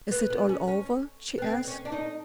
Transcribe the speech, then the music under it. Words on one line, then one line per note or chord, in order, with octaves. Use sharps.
"Is it all over?" she asked.
B3
B3
C#4
C#4
B3
C4
C#4
D4
D#4